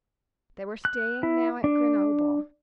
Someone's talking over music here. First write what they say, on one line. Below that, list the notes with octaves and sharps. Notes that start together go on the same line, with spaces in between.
They were staying now at Grenoble.
F#6
E4
D4